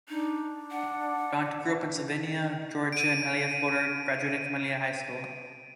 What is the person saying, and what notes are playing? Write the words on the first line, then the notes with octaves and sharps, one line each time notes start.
Dent grew up in Sylvania, Georgia, and Hialeah, Florida, graduating from Hialeah High School.
D4 D#4
F#5
D7 D#7